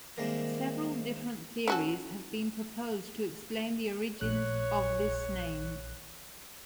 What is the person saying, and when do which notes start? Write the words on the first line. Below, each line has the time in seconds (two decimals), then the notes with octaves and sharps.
Several different theories have been proposed to explain the origins of this name.
0.17 C3 D#3 G3 G#3 A#3 A#4
1.68 C#4 F#4 A4
4.21 A#1 C#5 F#6